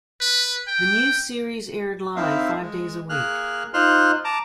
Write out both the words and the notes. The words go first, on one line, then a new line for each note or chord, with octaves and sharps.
The new series aired live, five days a week.
B4
G5
A#3 C4 D#4 E4 E5 F5
G#3
A#3 G#4 F6 F#6
D#4 F4 C5 C6 F6 F#6
A5 A#5 D6